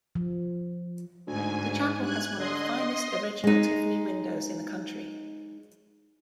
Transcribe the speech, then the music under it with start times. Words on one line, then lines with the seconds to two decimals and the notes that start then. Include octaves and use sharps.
The chapel has one of the finest original Tiffany windows in the country.
0.15 F3
1.27 D2 G#2 G#5
2.02 G2 F#6 G#6
2.38 D3 D#5 C6
3.44 G#3 D#4